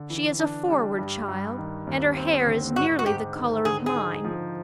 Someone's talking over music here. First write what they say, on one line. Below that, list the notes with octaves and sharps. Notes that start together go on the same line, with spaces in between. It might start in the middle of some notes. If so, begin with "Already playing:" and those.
She is a forward child, and her hair is nearly the color of mine.
Already playing: D3
E3
D4
G3
G2
G2
D#3
D#2
C4
D3
G#2 F#4
F#4
G#2 G4
D#3
D3 G#4
G#4
D#4
F3